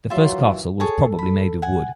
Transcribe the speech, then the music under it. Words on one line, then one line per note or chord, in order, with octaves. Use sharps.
The first castle was probably made of wood.
D#3 E3 F#3 F4 E5 C6
G#4 A4 C#5 A5
B5
F#5 G#5